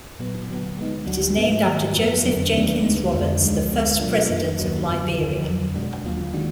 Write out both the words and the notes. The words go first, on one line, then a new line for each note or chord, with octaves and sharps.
It is named after Joseph Jenkins Roberts, the first president of Liberia.
A#2 F#3 B3
D3 F#3 B3
D3 G#3 B3 D#4
D2 D3 F#3 D4 F#4
G#2 F3 G#3 B3 D#4
G#2 D#3 A#3
F#2 F3 B3
F2 D3 F#3 B3 D4
D#2 D#3 F#3 B3 D4
D2 D3 G#3 B3 D#4
F2 D3 G#3 D4 F#4
D2 D3 F3 G#3 D#4
D2 D3 G#3 B3
B2 F#3 D4 F4
F#2 F3 A#3
D#2 D#3 F#3 D4 F#4
F#2 D3 F#3 B3
D#2 D3 F3
F2 D3 F#3
B2 G#3 D4 F#4
D#2 D3 F#3 A#3 F4
D#3 G#3 D4 F#4